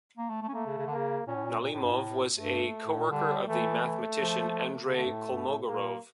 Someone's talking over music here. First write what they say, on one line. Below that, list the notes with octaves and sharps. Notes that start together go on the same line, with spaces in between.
Nalimov was a co-worker of the mathematician Andrey Kolmogorov.
A#3
A3
A3
C#4
A3 A#3
C#3
C#3
D3
A#3
C#3
A#2 C#4
A2
A#2
A#2
A2
G2
A2
G2 A3
A2
A#2
D3 G3
E3 A3
A3
F3
C#3
D3 A3
G2
A2
G2
A2
A#2 A#3